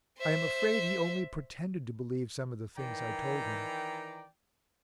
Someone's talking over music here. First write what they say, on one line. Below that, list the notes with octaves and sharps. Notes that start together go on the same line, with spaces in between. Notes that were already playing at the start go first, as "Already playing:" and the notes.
I am afraid he only pretended to believe some of the things I told him.
C5 E5
D#3 E3 D5 G5 A#5